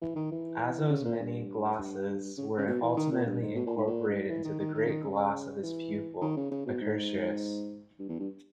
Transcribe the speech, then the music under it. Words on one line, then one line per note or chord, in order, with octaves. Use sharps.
Azo's many glosses were ultimately incorporated into the Great Gloss of his pupil, Accursius.
E3
D#3
E3
C#3
A#2
G2
G2
C#3
C#3
B2
E3
D#3
A#2
G2
G#2
B2
A#2
G#2
A#2
G2
G#2
E3
D#3
D#3
D#3
C#3
D#3
C#3
E3
D#3
C#3
C#3
B2
G#2
G2
E2
G2